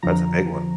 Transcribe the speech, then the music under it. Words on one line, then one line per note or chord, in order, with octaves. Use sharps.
That's a big one.
F2 D3 F3 A#5